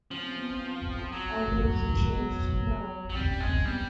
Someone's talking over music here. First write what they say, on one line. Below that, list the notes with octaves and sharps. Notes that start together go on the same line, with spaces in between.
I know he changed mine.
F3 C#4
C4
B3
C4
C4
F#3
B3
F#3
G3 C4
C#4
G#3
C4
G3 B3